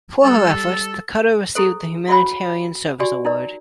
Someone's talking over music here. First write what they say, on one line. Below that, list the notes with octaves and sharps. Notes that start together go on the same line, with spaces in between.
For her efforts, the cutter received the Humanitarian Service Award.
G3 A4
E4 G#4 A4 C5
E4 F#4 C#5 F#5 B5
F#4 G4 D5 G#5
D#4 E4 A#4 D5